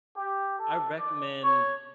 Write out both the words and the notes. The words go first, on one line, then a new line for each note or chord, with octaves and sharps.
I recommend,
G4
A4
D5
C#5